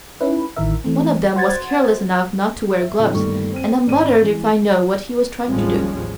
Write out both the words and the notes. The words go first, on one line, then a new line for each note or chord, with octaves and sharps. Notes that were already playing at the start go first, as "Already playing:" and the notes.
One of them was careless enough not to wear gloves, and I'm bothered if I know what he was trying to do.
C#4 D#4 E4 B4
A1 D#3 E4 A#4 E5
E3 A3 C4
F#4 C5 F#5 G#6 A6
E5
D2 A#2 C4 D#4 G4
G1 D#3 G3 A3 A#3 C#6
C4 D#7
G#1 D5 D#7
E3 G#3
A1 D#2 F3 G3 G#3 C#4